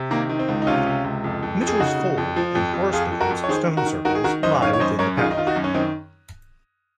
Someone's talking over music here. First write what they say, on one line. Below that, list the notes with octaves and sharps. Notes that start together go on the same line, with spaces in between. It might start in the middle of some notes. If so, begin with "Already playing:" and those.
Mitchell's Fold and Hoarstones stone circles lie within the parish.
Already playing: C3
D#3 A#3
D#3
C4
C#2
D#4
C3 C#4 F4
C3
C#2
F2
F2
F2
G#4
C#3 D#4 F#4
C#3
F2
F3
F2
F2
F2 F4 G#4
F2
F#4 A#4
F2
C#5
D#3 G#4 C5
D#3
F#4 A#4
D#3
D#3 F#4 A#4
G#4
D#3 F#4 A#4
F#2 C5 D#5
D#3 C#5 F5
C#5
F#2 C5 D#5
F#2 A#4 C#5
D#3 F4 G#4
D#4
D#3 F4
D#4 F#4
F#2
C#4
D#3 C4 D#4